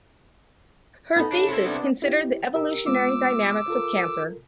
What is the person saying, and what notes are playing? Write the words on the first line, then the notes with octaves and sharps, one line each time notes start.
Her thesis considered the evolutionary dynamics of cancer.
B3 D#4 A4 B5
C#3 D4
C3 E4
B3 D4
E4 G4
G4 A#4 E6
G#3 B3 F4 D6 E6
F4 A4 A#4